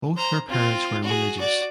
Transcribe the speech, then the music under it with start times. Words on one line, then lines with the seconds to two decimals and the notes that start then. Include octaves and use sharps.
Both her parents were religious.
0.16 C5 A#5
0.48 C4 F4
1.03 F#4 G#4
1.39 F#4 D5